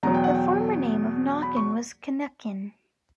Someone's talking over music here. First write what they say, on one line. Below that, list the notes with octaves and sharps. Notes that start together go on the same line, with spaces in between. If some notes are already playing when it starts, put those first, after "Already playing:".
The former name of Knockin was Cnukyn.
E2 B2 F#3 A#5
G5
F#5
G5
B5
C#6